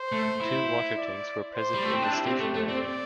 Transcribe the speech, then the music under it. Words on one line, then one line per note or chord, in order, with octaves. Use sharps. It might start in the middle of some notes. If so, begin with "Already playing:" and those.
Two water tanks were present in the station area.
Already playing: C5
A3
E4
D5
C5
G3
A3
C4
D4
E4 G4
C4
A3
A3
C4 D5